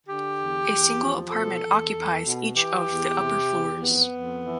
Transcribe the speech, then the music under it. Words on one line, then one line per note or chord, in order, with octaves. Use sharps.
A single apartment occupies each of the upper floors.
D3 G4
E2
E2
F3
B2 A4
E2
E2
B2
E3 G4
E2
C3
E2
F2 B3
F2
E3